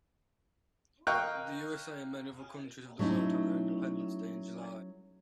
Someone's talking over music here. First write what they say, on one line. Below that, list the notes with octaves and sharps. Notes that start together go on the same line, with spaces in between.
The USA and many other countries of the world have their independence day in July.
A#4 D#5 F5 G5 C#6 F#6
F#3 A3 C#4 D#4 E4